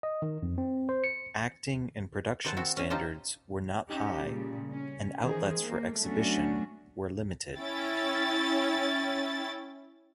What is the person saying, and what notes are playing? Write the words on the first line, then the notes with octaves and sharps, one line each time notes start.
Acting and production standards were not high and outlets for exhibition were limited.
D#5
D#3
F2
C4
C5
C#7
D#3 A4 C5 F#5 A5
C4 F#4 A4
C#4 G#5
D#4 F4 G4 A4 C5
C#4 D#4 G4
A#2 C#3 G3
C#4
D#3 E3 G#4 C5
A#3
F#3 A3 B3 C#4 D4 F#4
C#4 E4 G5 A6